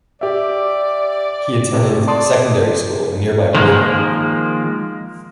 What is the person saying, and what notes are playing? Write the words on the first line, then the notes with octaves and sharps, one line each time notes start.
He attended secondary school in nearby Morden.
G4 D5 E5
A2 C3
D5 A5 C6 D#6
D#3 F3 G#3 A#3